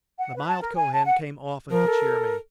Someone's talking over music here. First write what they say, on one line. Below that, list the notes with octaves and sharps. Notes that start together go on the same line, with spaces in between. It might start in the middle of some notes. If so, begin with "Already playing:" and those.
The mild Kohen came often to cheer me.
F#5
B4
A5
A#4
G#5
A5
F#5
F3 A#4
A4